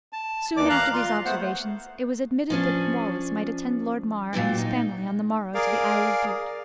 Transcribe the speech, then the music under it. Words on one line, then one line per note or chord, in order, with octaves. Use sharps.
Soon after these observations, it was admitted that Wallace might attend Lord mar and his family on the morrow to the Isle of Bute.
A5
D#2 E3 D5 D6
F5 A#5 F#6
F4 C6
A3 B3 C5 F#5
F3 C#4 D4
A#2 F#3 D4 G5
D#4
G#4 A#4 D5 F5